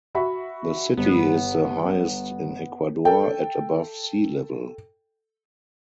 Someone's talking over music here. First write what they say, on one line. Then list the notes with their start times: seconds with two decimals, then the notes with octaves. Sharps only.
The city is the highest in Ecuador, at above sea level.
0.15 F#4 E5 B5
0.97 G1 B3
3.05 A4 G5